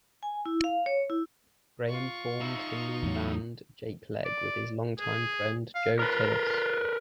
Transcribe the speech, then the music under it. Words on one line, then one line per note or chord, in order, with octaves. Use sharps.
Graham formed the new band Jakeleg with his long-time friend Joe Tullos.
G#5
E4
F5
C#5
E4
F4 C#6
D#4 E5
E2 A2 F#3
D5
G#4
F5
F4 A#4 B4